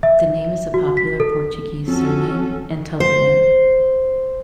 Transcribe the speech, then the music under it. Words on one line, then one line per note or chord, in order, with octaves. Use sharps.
The name is a popular Portuguese surname and toponym.
E5
F#4
B6
A4
F2 C#4 F#4 A4
C5